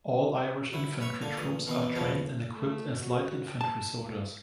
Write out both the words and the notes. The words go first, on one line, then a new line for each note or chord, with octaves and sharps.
All Irish infantry troops are trained and equipped as light infantry soldiers.
F#3 E4
B4 C#5 E5 A#5 C#6
D3 A#3 G#5
A1 A#2 D#6
B2 D#3 E3 C4 C6
E2 A#2 F3 F#3 B3
A3
F#4
A5